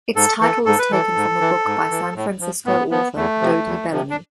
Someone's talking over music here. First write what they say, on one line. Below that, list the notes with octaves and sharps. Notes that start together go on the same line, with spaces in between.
Its title was taken from a book by San Francisco author Dodie Bellamy.
G#2 A4
E3 A4
G#2 A4
B4
E3 A4
G#2
E3
G#2
E3
A2
F3
A2 B3
F3 B3
E2 A3
C3 F3
E2
C3 F3
D4